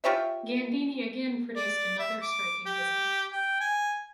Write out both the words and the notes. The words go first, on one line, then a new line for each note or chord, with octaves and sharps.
Gandini again produced another striking design.
F4 G4 C#5 E5
D5
E5
D6
G4
G5
G#5